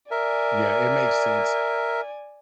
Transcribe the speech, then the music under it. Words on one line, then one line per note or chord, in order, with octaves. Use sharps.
Yeah, it makes sense.
A#4 D5 E5 G#5